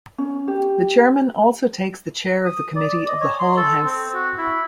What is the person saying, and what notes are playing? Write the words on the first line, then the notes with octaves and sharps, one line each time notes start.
The Chairman also takes the Chair of the Committee of the Whole House.
C#4
G4
D#6
D5
D#5
C#5
C6
A4
C4
F#4
E4